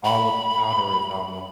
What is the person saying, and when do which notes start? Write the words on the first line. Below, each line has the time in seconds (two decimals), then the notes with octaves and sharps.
all of the powder is almost
0.05 B5